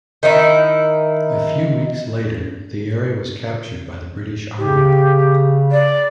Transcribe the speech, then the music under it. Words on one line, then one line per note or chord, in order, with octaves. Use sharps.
A few weeks later, the area was captured by the British Army.
D#3 D#4 E4
C#3 G4
D5